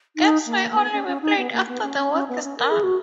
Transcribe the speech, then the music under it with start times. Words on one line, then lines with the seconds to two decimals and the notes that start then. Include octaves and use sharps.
Games may only be played after the work is done.
0.16 D#4
0.46 A#3
0.71 A#3
0.76 B3
0.93 C#4
1.07 C#4
1.22 D#4
1.37 B3
1.52 A#3
1.68 B3
1.83 C#4
1.98 C#4
2.13 C#4
2.29 B3
2.44 C#4
2.58 A#4
2.71 G#4
2.83 F#4